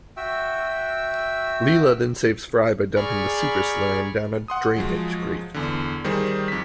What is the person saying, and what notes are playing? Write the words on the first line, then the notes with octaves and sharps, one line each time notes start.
Leela then saves Fry by dumping the super-slurm down a drainage grate.
F#4 E5 G5 E6
G#4 D5 A#5 B5 C#6 F6
F#5 C6 D#6
F3 F#3 G#3
E2 D3
D#3 G3 G#4 C5
F2 B6